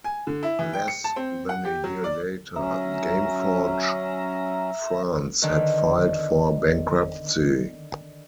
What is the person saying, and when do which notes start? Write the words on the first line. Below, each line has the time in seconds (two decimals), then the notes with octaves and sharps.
Less than a year later, Gameforge France had filed for bankruptcy.
0.04 G#5
0.27 D3
0.43 E4
0.59 E3
0.73 G5
0.88 C#7
1.04 A5
1.16 C4
1.49 F#5
1.65 G4
1.84 F#3
2.04 D5
2.56 F#3 C#4 E5 A#5
5.42 D3 D#3 B4